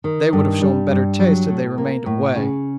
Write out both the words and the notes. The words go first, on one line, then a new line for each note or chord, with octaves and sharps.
"They would have shown better taste had they remained away."
D#3
G2
G3
G2
F#3
A2
A#3
A2
C#3